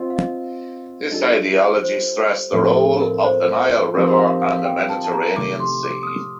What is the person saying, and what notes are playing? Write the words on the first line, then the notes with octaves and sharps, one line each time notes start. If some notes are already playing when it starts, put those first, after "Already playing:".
This ideology stressed the role of the Nile River and the Mediterranean Sea.
Already playing: C4 F4 D#5
F5
D#5
G3 D4 F4 A4 D#5
C5
A2 F3 C4 D#4 A4
A4
A#4
C5
F3 C4 D#4 G4 A#4
F5
F5
F5
G5
A5
A5
A#5
C3 D#3 A3 D6
C6
D6
D#6
F6